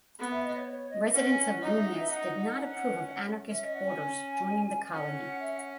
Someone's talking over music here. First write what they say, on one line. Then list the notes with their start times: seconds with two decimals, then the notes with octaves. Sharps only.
Residents of Luynes did not approve of anarchist boarders joining the colony.
0.19 B3 F#5
0.30 E5
0.43 D#5
0.55 C#5
0.66 C#5
0.90 D#5
1.13 C#4 F#5
1.30 G#5
1.45 F#5
1.61 D#4 D#5
1.73 E5
1.85 F#5
1.97 E5
2.08 D#4 F#5
2.24 F#5
2.40 F#5
2.55 C#4
3.50 C#4 E5
3.63 D#5
3.74 F#5
3.86 G#5
4.83 G#5
4.92 C#4 F#5
5.39 E5
5.56 F#5